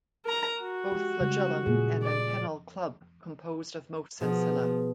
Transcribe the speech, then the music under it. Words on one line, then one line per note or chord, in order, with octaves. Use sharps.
Both flagellum and antennal club composed of most sensilla.
A#4 A#5
F#4
G#3 G4
C#3 G3 G#3
A#2 G#4
D5
B2 F3 G#4